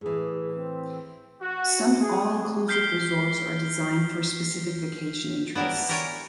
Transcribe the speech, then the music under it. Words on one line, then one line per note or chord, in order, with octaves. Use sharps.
Some all-inclusive resorts are designed for specific vacation interests.
A2 E3 G#4
C4
F#4
G#4
F6 G6 B6 C7 D7 G7
B3 D4 E4 G4 A#4
G4 A#4 C#5 D5 G5 G#5